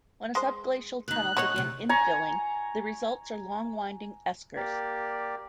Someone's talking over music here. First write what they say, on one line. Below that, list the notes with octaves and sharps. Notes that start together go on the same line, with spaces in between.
When a subglacial tunnel began infilling, the results are long winding eskers.
G#3 C5
D2 D#4 F#6
D#4 F#4 G#4 C#5
D2 C3
G#5 A#5 C#6
A#3 G4 D5